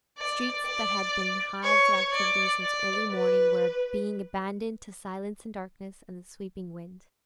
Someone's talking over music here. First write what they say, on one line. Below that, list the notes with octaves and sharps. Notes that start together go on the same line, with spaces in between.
Streets that had been hives of activity since early morning were being abandoned to silence and darkness and the sweeping wind.
D5
D5
C#5
D5
D5
B4